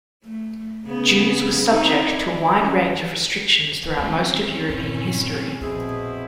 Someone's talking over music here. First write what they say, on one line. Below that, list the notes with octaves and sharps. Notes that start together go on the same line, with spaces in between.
Jews were subject to a wide range of restrictions throughout most of European history.
A3
C#3 B3 G#4
C4 D#4 E4
E4 D5
G3 C#4
D#2 C4 C#4
G2 A#2 E4
A#1 F2 B2 C4 E4 G#4